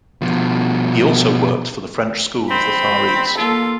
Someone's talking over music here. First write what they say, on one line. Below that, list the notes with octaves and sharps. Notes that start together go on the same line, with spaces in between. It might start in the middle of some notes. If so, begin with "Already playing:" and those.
He also worked for the French School of the Far East.
B2 F3
C4 B5
A#3 F4 A4